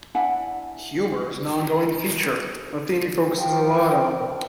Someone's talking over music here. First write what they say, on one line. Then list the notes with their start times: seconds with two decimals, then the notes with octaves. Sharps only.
Humor is an on-going feature, a thing he focuses a lot on.
0.15 D4 E4 F#5 G#5
3.38 F3 G5